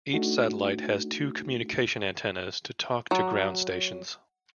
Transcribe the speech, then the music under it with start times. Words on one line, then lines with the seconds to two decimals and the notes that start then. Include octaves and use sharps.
Each satellite has two communication antennas to talk to ground stations.
0.14 A3 D4 D#4 F#4
3.11 F#3